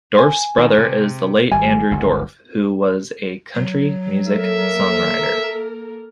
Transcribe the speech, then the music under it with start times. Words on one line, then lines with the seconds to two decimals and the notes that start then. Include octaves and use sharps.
Dorff's brother is the late Andrew Dorff who was a country music songwriter.
0.18 G#5
0.58 D#3
0.78 C3
1.52 G#1 G3 G#5
1.91 G1 C#2
3.54 F#3
4.28 A#3 A4 A#4 E5